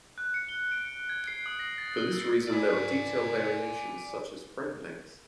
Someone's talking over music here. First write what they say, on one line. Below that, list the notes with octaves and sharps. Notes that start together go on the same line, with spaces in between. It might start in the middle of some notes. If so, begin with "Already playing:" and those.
For this reason there were detail variations such as frame length.
F#6
C#7
G7
D7
C#7
G#6
C7
D#6
A#6
A6
G7
E6
D5 G#5